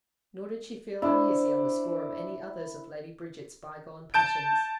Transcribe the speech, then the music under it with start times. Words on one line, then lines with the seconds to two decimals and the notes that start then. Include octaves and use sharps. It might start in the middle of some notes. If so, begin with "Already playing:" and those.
Nor did she feel uneasy on the score of any others of Lady Bridget's bygone passions.
1.02 D4 E4 C5
4.14 A5 G6 D7